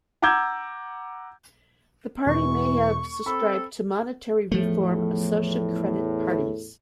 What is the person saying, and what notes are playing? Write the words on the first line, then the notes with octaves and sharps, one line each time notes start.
The party may have subscribed to monetary reform of social credit parties.
F#5 A#5 D6 E6 G6 G#6
E1 E3 C#6
C4 A4 B5
E2 A2 F3 A3